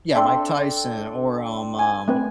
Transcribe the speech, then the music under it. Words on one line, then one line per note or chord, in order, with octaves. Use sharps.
Yeah, Mike Tyson or, um, um
C4 D4 A4 E5 C6
G#5
A3 C4 B4